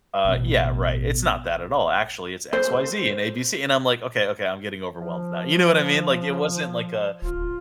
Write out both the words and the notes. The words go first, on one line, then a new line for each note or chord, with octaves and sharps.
Uh, yeah, right, it's not that at all, actually, it's XYZ and ABC, and, I'm like, "Okay, okay. I'm getting overwhelmed now," you know what I mean? Like, it wasn't like a
A1 B2
C5
F3
D1 F4